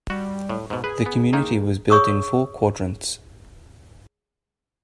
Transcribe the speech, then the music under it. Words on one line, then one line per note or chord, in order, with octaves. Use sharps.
The community was built in four quadrants.
G3 F#4
A2
G#2 B2
G#4 B4
B3
D#3 A#3 D#4
G#4 C#5 C#6 D#6 E6